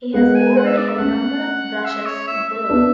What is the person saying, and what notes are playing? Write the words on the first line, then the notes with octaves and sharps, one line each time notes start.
He has already had a number of brushes with the law.
G#3 B3 F#5
G#5
F#5
E5
D5
E5
A3 C#4 F#5
E5
C#5
E5
E5
B3 D4